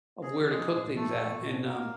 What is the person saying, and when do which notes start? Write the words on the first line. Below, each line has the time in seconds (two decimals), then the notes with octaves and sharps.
of where to cook things at, and, um,
0.22 A#3 G#4
0.36 F3 G4
0.49 G#3 G#4
0.59 F3
0.77 A#2
0.96 F3 A3 A4
1.14 A#2
1.32 A#2
1.50 C#4
1.68 A#2 A#3 A#4